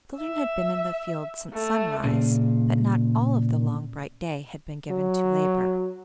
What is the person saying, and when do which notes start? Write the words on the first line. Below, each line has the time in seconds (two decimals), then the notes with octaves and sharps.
The children had been in the field since sunrise, but not all of the long bright day had been given to labor.
0.19 E5
1.54 A3
2.04 A#2 C#3
4.90 F#3